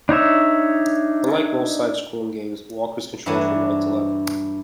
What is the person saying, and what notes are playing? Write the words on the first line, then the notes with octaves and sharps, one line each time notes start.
Unlike most side-scrolling games, "Walker" is controlled from right to left.
D4 D#4 C#5 E5
G2 E3 F#3 D4 F#5 G#5